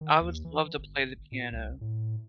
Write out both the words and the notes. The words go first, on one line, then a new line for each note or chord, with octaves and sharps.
I would love to play the piano.
D#3
D#2
E3
G1
A#2
C2
A2